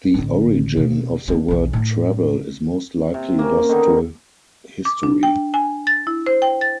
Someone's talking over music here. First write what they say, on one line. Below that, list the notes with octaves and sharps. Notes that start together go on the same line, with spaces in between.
The origin of the word "travel" is most likely lost to history.
A1 D3
B2
C#4 D4
B1 E3
A2 D#4
C3
A#3 C#4
D3 D#3 B3 D#4
D6
D4
G5
G#5
A6
E4
C5
G5
A6